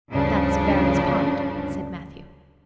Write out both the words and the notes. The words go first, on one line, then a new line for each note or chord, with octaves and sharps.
"That's Barry's pond," said Matthew.
D2 G2 C#3 F3 D4